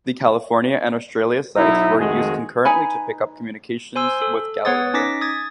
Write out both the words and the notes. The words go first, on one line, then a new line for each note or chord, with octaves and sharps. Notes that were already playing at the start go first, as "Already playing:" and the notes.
The California and Australia sites were used concurrently to pick up communications with Galileo.
B1 F#3 D#4 E4
F2 D#3 G#3 A3 F#4 G#4
D#4 B4 G#5 B5
C5 G#5 C6 E6
A4
B3 B4 C#5 F#5 D#6 A6
C#4 D#4 D6 A#6 B6
D#6 G#6 A6